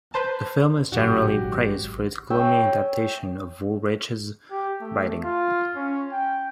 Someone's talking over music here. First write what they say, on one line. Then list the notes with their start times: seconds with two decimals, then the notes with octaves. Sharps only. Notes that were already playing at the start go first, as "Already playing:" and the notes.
The film is generally praised for its gloomy adaptation of Woolrich's writing.
0.14 B4 C5 A5
0.92 G#1 A#2 C#3 F#3 F#4 G4
1.45 A1
2.30 C#5 E5 G5 G#5
4.51 G4
4.80 A3
5.24 F4
5.76 C#4
6.12 G5